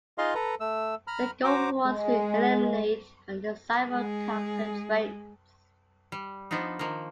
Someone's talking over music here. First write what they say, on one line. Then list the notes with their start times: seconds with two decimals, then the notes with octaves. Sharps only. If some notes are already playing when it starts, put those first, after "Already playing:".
The goal was to eliminate undesirable character traits.
0.18 D#4 F4 G#4 D#5 F5 C6
0.35 A4 B4 A#5
0.60 A3 E6
1.07 A#5 B5 F6
1.44 F#4 C5 A#5 D6
1.87 G#3
3.89 G#3 G#4
6.12 G3
6.51 F3 B3 D4 D#4
6.79 D#3 F3 A#3